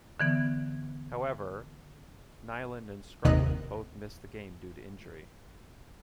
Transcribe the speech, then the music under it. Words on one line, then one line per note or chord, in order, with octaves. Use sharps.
However, Nilan and Skrudland both missed the game due to injury.
D3 E3 B3
G1 D#2 C3 D#3 D#5 F#6